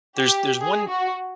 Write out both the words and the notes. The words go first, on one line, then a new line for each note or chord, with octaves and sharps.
there's there's one
G4
G#4
F#4